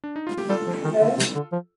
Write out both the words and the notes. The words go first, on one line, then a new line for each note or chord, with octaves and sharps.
The band consists of members of the bands Happy Diving and Big Bite.
D4
D#4
F4
G4
G3 F4 A4
F3
D#3
D3
C3
D3
F3